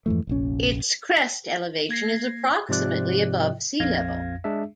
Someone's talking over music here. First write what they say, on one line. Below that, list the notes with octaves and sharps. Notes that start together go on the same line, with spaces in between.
Its crest elevation is approximately above sea level.
F2 G#2 E3 A3
F1 A#1 C#4
A#3 G#6 A#6 C7
G#2 C3 F3 D5 F#6
A#1 F2 F5 G#6 A#6
G#3 D4 G#4 E5